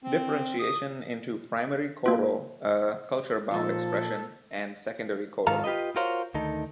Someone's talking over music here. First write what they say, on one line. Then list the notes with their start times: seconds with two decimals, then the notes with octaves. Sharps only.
Differentiation into primary koro, a culture-bound expression, and secondary koro.
0.03 C4
0.59 D#6
2.06 A#3 F4
3.51 A#2 F3 D#4 F4 A4
5.47 G#2 D#3 F4 A4 F5 A#5
5.64 F4 G4 A#4 B4 D#5
5.96 F4 F#4 A#4 C5 C#5 F5
6.34 D2 D#3 D#4 A4